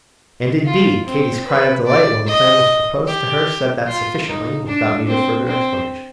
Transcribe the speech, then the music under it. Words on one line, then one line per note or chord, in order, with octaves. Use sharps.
And indeed Katy's cry of delight when the plan was proposed to her said that sufficiently, without need of further explanation.
F4
C4
B4
D5
D#5
G4
F4
D#4
D4
C4
C4